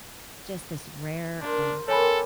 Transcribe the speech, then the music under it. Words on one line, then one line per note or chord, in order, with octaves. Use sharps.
just this rare and
D4 A#4 C5
D#3 A#3 C4 A4 C#5 G#5 B5